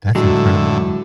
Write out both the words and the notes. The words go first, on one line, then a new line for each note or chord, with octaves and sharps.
That's incredible.
A2 D3 F#3 G#3